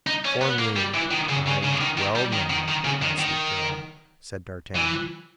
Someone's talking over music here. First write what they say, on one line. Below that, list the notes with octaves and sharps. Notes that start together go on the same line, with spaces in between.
"For me, I well know, my sweet girl," said d'Artagnan.
D#4
C#4
B3
A#3
G3
E3
D#3
C#3
C#3
C#3
D#3
D#3
G3
D#3
D#3
D#3
C#3
D#3
D#3
E3